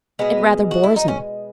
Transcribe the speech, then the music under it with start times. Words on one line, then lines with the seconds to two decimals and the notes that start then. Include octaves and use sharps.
It rather bores him.
0.19 B2 G#3 B3
0.71 F#4
0.83 E4
0.96 D#4
1.08 C#4